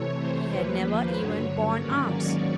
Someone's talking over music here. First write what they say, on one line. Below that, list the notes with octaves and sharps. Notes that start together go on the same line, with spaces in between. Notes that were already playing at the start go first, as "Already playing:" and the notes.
He had never even borne arms.
Already playing: C3 E3 A3 C#5
C5
D#2 C#3 F3 A#3 B4
C5
G2 D3 F#3 C#5
C#5
G#2 D#3 F#3 A#3 C#4 D5
C#5